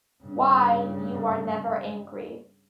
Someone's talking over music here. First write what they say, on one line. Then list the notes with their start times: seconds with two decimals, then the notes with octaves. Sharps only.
Why, you are never angry!
0.23 G2 C#3